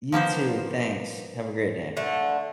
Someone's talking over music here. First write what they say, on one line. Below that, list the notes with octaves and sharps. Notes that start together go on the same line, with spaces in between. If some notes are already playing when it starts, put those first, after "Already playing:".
You too, thanks, have a great day.
F3 A#3 B3 C5
D3 A3